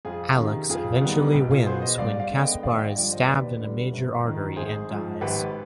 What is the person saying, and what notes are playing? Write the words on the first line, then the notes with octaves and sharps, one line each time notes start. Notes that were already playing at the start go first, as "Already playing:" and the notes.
Alex eventually wins when Kaspar is stabbed in a major artery and dies.
F2 F4 G#4
C3 D#3
F2 F4 G#4
D#3 G3 B3
B1 G4
F4 G#4
B2 B3 G#4 C5
C5 D#5
G2 D5 F5
D5 F5
D3 G#3 B3
D#5 G5
G#1 D5 F5
D#5 G5
G2 D3 F3 D5 F5
C5 D#5
D#2 B4 D5
D3 G3
G1
F2 D#3
G#1 G#4 C5
G#2 F3 G#3
G#1 G4 B4